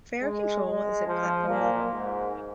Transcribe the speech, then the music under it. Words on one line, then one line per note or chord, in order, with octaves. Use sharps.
Fare control is at platform level.
G#3
G#3
F3
A#2
G#2